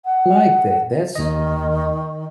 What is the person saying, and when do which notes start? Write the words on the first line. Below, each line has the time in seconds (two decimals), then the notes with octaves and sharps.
Like that. That's
0.05 F#5
1.15 D#2 D#3 D#5